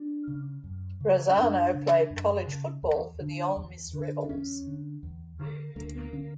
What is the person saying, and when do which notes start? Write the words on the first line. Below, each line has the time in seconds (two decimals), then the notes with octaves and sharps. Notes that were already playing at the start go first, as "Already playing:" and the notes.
Razzano played college football for the Ole Miss Rebels.
Already playing: D4
0.27 C#3
0.64 F#2
1.01 C#3
1.30 C#4
1.37 F#2 D4
1.74 C#3
2.11 F#2
2.47 C#3
2.83 E2
3.21 D3
3.57 E2
3.93 D3
4.24 D4
4.29 E2 C#4
4.67 D3
5.03 E2
5.39 D3
5.76 D2 A3
5.95 B3
6.13 D3 C#4